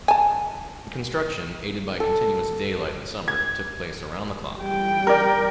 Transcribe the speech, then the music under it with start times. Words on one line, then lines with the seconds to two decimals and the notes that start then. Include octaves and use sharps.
Construction, aided by continuous daylight in summer, took place around the clock.
0.08 G#5 A5
2.00 A4
3.28 G#6
4.60 G3 G5
5.07 A#4 D5